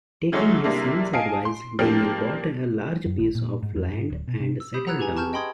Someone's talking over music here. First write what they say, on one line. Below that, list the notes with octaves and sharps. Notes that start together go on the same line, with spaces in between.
Taking his son's advice, Daniel bought a large piece of land and settled down.
C#3 E3 F#3 G#3 A3 C#4
C3 G3 G#3 A#3 D4 E4
D#5 F5 G#5 A5 C7 D7
C6
F3 A#3 C4 D4 G4
F#2
G#1
A#2
G#2
F2
G#2
D1
B2
C3
E6
G4 B5 D#6 G6
F#5 A#5 E6 F#6 G#6
G4 G#4 B4 G#5 A#5
A5 C#6 F6 G6 E7
D#5 G5 B5 C6 D#6 G#6